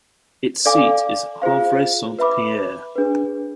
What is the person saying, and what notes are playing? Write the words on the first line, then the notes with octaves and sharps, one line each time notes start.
Its seat is Havre-Saint-Pierre.
A4 D5 F5 G#5 D6
F4 G#4 C5 F5
B4 E5 B5 D6
D4 G#4 B4